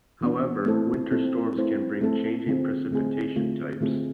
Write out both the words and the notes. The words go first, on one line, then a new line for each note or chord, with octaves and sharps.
However, winter storms can bring changing precipitation types.
E3 B3 D4
A3 C4 E4 A4 C5
A3 C4 E4 A4 C5
A3 C4 E4 A4 C5
A3 C4 E4 A4 C5
D3 A3 C4 F4 G#4
D3 A3 C4 F4 G#4
D3 A3 C4 F4 G#4
D3 A3 C4 F4 G#4